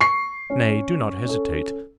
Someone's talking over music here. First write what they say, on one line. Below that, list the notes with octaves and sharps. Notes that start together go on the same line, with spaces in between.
Nay, do not hesitate.
C#6 C7
C#4
C#4 A4